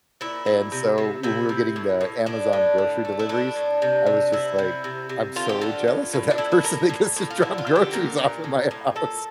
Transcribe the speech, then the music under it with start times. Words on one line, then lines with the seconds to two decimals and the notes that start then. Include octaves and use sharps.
and so when we were getting the Amazon grocery deliveries, I was just like, "I'm so jealous of that person that gets to drop groceries off of my house."
0.21 A#2 E4
0.46 A#2
0.72 C3
0.98 C3
1.23 C3 E4
1.49 C3
1.76 A2
2.01 A2
2.26 A2 D4
2.53 A2
2.78 D3
3.05 A3
3.19 E4
3.29 A2 D4
3.56 A2
3.82 C3
4.07 C3
4.32 C3 E4
4.58 C3
4.84 C3
5.09 C3
5.36 D3 F4
5.49 G4
5.61 D3 F4
5.88 A2
6.14 A2
6.31 D4
6.38 A2 E4
6.52 E4
6.64 A2 A#4
6.89 A2
7.16 A2
7.31 F4
7.42 D3 E4
7.58 F4
7.67 D3
7.76 G4
7.93 A#2 A#4
8.18 A#2
8.44 A2
8.71 A2
8.96 A#2 A4